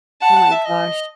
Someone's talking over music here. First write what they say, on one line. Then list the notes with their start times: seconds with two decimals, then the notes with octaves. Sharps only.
Oh my gosh.
0.22 F#5 A5
0.36 F#5
0.51 E5
0.65 D#5